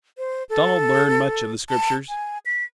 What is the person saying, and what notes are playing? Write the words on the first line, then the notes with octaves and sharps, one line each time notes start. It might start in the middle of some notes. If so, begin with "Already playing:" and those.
Donald learned much of the Scriptures.
C5
A4
A5
G#5
B6